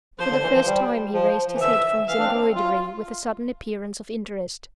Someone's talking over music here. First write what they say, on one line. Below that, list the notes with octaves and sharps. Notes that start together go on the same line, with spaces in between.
For the first time he raised his head from his embroidery--with a sudden appearance of interest.
F3 C5
D3
E3
F3
G3
F3
F3
E3
D3 E5
E3 F5
D4
C4
F4